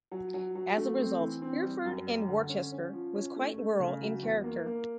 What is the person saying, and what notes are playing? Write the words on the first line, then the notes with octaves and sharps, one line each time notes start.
As a result, Hereford and Worcester was quite rural in character.
F#3
F#3
F#3
A3
C4
E3
C4
G3
F#2
G3
D3
C#4
C#4
F3
C#4
A3
A3
C#3
F#3
E2
A#3
A#3